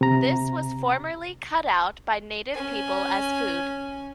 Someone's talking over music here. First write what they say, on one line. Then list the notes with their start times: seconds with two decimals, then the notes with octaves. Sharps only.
This was formerly cut out by native people as food.
0.01 C3 A#5
2.54 C#4 G#5